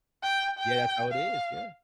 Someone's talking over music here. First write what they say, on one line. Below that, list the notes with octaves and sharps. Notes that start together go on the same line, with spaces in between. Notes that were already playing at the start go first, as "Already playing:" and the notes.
Yeah, that's how it is. Yeah.
G5
G5
F5